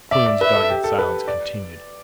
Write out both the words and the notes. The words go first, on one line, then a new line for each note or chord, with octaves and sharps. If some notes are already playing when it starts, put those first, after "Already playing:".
Kloon's dogged silence continued.
D5 E5
D5
B4 E5
A4
G4
A4
B4
D5